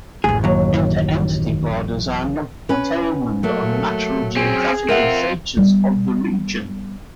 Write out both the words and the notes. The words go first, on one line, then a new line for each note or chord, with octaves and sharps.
Inter-entity borders are not determined on natural geographical features of the region.
A1 F#2 G#4
D#2 F#3
C#4 B4
F#3 A3 A#3
C4 C#4 G#4
C4 F4 A#4 E5 F#5
G3 B3